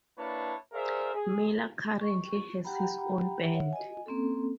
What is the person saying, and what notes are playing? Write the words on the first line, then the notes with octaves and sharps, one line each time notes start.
Miller currently has his own band.
A#3 D4 E4 B4 C#5 A5
G#4 A#4 C5 D5 E5 F5
G#4
C#6
G4 F#5 G5 A#5 B5
C#5 E5 F#5
D#5 G#5
A#3 C4 C#4 A4